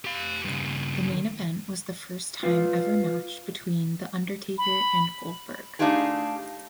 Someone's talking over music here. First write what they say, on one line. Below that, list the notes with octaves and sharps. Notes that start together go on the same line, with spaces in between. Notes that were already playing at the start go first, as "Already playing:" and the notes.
The main event was the first time ever match between The Undertaker and Goldberg.
G4 F5
G2 C#3
F4 B4 F5
B5
A3 D4 D#4 F4 G4 G#4